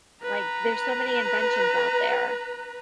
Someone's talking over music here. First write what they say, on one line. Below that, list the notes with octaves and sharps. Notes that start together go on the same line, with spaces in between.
Like, there's so many inventions out there.
B4 A#5